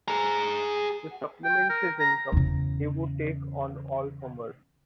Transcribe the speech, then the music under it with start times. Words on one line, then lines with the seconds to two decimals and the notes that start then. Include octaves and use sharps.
To supplement his income, he would take on all comers.
0.08 G#4 A#5
1.44 G5
1.69 A#4
1.99 A#5
2.32 E2 C#3